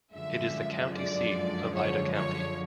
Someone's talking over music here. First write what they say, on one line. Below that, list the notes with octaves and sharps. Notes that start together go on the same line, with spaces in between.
It is the county seat of Ida County.
F#2 D3 F3 G#3 E5
D5
C#5
C#5